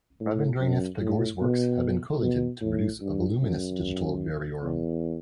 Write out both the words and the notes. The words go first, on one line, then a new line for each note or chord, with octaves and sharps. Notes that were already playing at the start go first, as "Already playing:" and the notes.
Rabindranath Tagore's works have been collated to produce a voluminous digital variorum.
A2
F#2
A2
B2
B2
A2
G2
F#2
E2